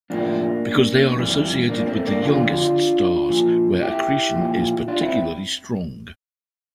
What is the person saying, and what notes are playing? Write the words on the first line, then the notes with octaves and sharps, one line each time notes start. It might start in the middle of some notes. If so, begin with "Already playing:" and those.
Because they are associated with the youngest stars, where accretion is particularly strong.
A2 F3 A#3 D4
F2 E3 G3
A#3 D4
A3 C4
A#3 D4
F2 D3 F3 D4 F4
A#2 F3
E4 G4
A#2 F3
D4 F4
C4 E4